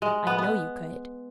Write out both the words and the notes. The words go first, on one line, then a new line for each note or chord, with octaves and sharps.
"I know you could."
G#3
B3
B3